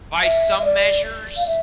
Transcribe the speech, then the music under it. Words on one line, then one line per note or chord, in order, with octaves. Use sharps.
by some measures,
E5
E5
D5
F5
E5